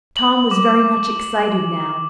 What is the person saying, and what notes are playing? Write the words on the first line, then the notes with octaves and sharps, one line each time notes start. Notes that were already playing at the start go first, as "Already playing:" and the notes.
Tom was very much excited now.
F#7
D6